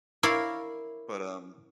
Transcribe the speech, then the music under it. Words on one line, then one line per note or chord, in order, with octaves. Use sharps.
but, um.
E4 A#4 C#5 D5 F5